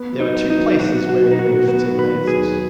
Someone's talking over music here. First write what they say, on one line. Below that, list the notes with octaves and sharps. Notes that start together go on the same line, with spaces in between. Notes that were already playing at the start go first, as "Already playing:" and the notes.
"There were two places where he lived," said Mansus.
Already playing: B3
F#3
D#4
F#4
D#4
F#3
B2 F#4
F#3
F#4
B2
D#4
F#4
F#3
B3 F#4
D#3
B4
F#3
G#4
D#2